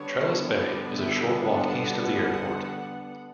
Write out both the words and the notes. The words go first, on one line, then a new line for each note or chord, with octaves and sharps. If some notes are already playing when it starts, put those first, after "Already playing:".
Trellis Bay is a short walk east of the airport.
Already playing: D3 G3 B3 D4 C#5
D5
E5
F#5